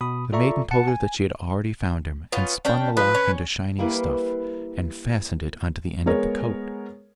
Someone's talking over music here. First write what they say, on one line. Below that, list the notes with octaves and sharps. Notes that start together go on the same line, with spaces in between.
The maiden told her that she had already found him, and spun the lock into shining stuff, and fastened it on to the end of the coat.
B2 B5 D#6
F4 A4 D5 E5 A#5 C#6
F#5 A5 C#7
G#5
B3 C#4 F4
C#4 D4 G5
F3 B4
C#4
G3 A#3 E4 B4
G#3 B3 G#4 A#4 C#5